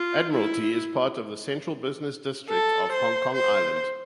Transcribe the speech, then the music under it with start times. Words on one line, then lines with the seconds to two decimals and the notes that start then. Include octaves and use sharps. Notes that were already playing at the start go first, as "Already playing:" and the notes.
Admiralty is part of the Central Business District of Hong Kong Island.
Already playing: F4
0.32 E4
2.48 A4
2.92 C5
3.34 C5